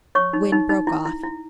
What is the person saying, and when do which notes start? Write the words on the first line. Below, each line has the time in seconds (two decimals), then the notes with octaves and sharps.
Wind broke off.
0.15 C#5 C#6
0.33 D#4
0.52 D#4
0.69 D#4
0.87 E4
1.05 E4
1.23 E4